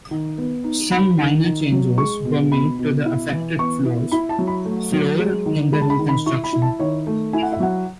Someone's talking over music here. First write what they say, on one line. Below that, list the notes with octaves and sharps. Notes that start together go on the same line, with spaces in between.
Some minor changes were made to the affected floors floor in the reconstruction.
D#3
B3
D#4
F#3 B5
D#3
D#3
F#3
G#3 C#6
B2
B2 B5
B2
E4
E3
B3 C#6
E4
E4 B5
A5
F#3
B5
A3
F#3
G#3
D#3
G#3 B5
A5
B5
D#3
B5
E4 C#6
B5
E4
A5
D#3 C#5
A3
E4 G#5
F#5
E5
F#3 F#5